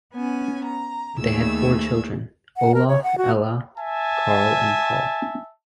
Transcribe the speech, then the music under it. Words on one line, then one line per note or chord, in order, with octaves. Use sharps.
They had four children: Olaf, Ella, Karl and Paul.
B3 C#4 G#5
A#5
D#2 A3 G#4 E6 G#6
F#5
A#4
C#5
F#5
F#4
E5 G#5 A5